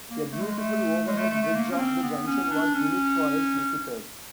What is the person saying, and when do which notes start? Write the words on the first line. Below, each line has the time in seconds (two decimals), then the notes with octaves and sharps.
A beautiful overhead bridge of the junction was unique for its visitors.
0.10 A#3
0.31 A3
0.41 G#3
0.58 A3
1.06 G#3
1.18 A3
1.30 A3
1.42 A3
1.55 A#3
1.71 C#4
1.78 C4
2.03 B3
2.26 C#4
2.44 C#4
2.51 D4
2.74 C#4